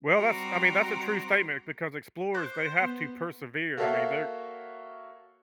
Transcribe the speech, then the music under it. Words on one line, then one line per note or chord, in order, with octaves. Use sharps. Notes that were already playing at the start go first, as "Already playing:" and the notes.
Well, that's I mean, that's a true statement because explorers, they have to persevere, I mean, they're
G3 C4 F#4 A#5 C6 D6
C5 D6 F#6
B3
A#3 F#4 A4 C#5 E5 F5